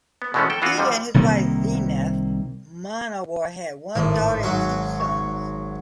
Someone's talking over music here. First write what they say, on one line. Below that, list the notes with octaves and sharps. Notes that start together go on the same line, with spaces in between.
He and his wife Zeenath Munawar had one daughter and two sons.
B3
B2 E3 G#3 A3 B3 C#4
A4 G5
E3 B3 F4 F#4
F2 D3 F3 G3
C2 C3 D#3 A#3
G#1 A2
G#2 F#3 F#4
C#6